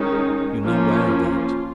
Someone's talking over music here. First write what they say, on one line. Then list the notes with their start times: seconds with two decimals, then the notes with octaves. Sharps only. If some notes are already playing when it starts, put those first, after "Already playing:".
You know well that.
Already playing: D#3 G#3 C#4 D#4
0.64 F3 A#3 C#4 F4
1.12 F4